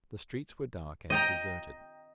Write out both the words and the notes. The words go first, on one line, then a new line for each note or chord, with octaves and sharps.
The streets were dark and deserted.
D#5 G5 A#5